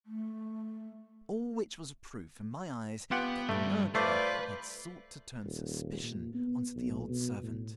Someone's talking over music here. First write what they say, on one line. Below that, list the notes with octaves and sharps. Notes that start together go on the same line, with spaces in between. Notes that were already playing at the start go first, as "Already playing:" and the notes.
All which was a proof, in my eyes, that the murderer had sought to turn suspicion on to the old servant.
A3
B3 F4 G4 F#5
G2 G3 A3
A3 F4 B4 C5 D5
D#1
A#2
B3
B1
B2
A2